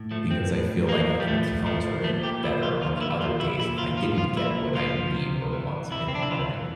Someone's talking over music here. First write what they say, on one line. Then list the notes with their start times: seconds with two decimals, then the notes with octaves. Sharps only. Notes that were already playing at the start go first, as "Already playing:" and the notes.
because I feel like I can counter it better on the other days if I didn't get what I need or want in the morning.
Already playing: A2
0.11 F3 A3
0.31 C4
0.50 A2
0.88 F3 A#3
1.20 G3
1.27 A2 A3
1.66 F3 A3
2.04 A#2 A3
2.23 G4
2.43 F3 E4
2.63 F4
2.81 A#2 F4
2.97 F4
3.01 E4
3.20 F3 F4
3.40 E4
3.59 A#2 E4
3.78 F4
3.97 F3 F4
4.18 F4
4.37 A#2 E4
4.75 F3 F4
5.14 C3
5.53 E3
5.91 C3 E4
6.08 C4
6.15 D4
6.22 E4
6.30 E3 F4